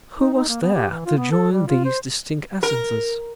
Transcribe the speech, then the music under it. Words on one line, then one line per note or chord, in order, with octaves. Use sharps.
Who was there to join these distinct essences?
D#4
D#4
A#3
B3
G4
E3
F4
B3
A4
G3
F4
C5
A#4